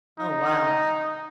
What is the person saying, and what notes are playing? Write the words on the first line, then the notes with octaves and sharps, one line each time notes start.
Oh, wow.
D#4